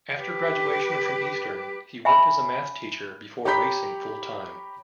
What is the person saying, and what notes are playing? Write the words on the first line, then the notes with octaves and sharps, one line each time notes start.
After graduation from Eastern, he worked as a math teacher before racing full-time.
G4 B4
E5 G#5 B5
G4 C#5 A#5 B5 G6 B6